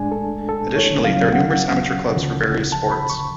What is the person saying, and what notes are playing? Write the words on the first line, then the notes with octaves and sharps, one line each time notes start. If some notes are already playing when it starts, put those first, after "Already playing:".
Additionally there are numerous amateur clubs for various sports.
Already playing: A2 G#3 D4 G#5
A4
A4
C#5
D2 C#3 F#3 C#4 F5
F#5
D2 C#3 F3
A5
B5
C#6